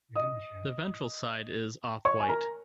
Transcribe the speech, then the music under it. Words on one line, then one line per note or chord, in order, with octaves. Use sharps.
The ventral side is off-white.
D#5 D#6
C#5 C#6
G#5
A#4 A#5